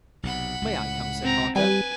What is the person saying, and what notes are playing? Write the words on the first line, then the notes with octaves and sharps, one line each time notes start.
"May I come?" said Harker.
B1 C3 F#5 B5
C#2 A2
C4 A#5
G3 B4 G#5